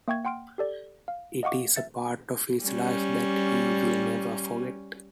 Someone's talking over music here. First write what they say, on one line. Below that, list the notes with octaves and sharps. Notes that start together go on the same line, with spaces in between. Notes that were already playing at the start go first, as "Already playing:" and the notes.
It is a part of his life that he will never forget.
A#3 E5 G5 C#6 G#6
F#5 G5 C6 F6 D7
G4 A4 D5
F5
D#5 F5 F#5 C#6 D6
E5 A6 C#7
G3 C#4